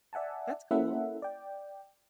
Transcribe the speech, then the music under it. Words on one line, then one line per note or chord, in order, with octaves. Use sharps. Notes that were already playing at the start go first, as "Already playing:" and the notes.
That's cool.
D5 E5 F#5 G#5 A5
A#3 C#4 E4 A4 E5 F#5
D5 G5